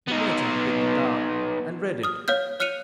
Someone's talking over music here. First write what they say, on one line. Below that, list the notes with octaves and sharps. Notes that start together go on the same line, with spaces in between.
The merchant picked it up and read it.
B3 D#4
D#6 F6
C#5 F5 F6 G6
C#5 F6 F#6 C#7 D#7 F7